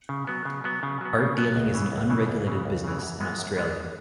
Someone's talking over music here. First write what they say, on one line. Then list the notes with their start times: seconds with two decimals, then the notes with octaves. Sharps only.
Art dealing is an unregulated business in Australia.
0.09 C#3
0.27 F#3 B3
0.45 C#3
0.64 F#3 B3
0.83 C#3
1.01 F#3 B3
1.19 C#3
1.38 F#3 B3
1.56 C#2
1.74 C#3 E3
1.92 C#2
2.10 C#3 E3
2.28 C#2
2.47 C#3 E3
2.65 C#2
2.84 C#3 E3
3.02 F#2
3.20 E3 G#3 B3
3.39 F#2
3.56 E3 G#3 B3